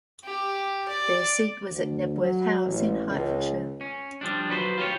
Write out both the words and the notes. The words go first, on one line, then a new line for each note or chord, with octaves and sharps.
Their seat was at Knebworth House in Hertfordshire.
G4
D5
D2
F#3
A1
C#2
C#4
F3 G3 D4
F#3 B4 C5
F4 G4 C5 C#5